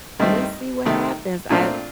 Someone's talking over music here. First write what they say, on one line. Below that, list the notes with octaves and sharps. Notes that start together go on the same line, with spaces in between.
we'll see what happens. I
G2 D#3 A3 C4 D#4
C3 D#3 A3
A#2 A3 C4 D4 F4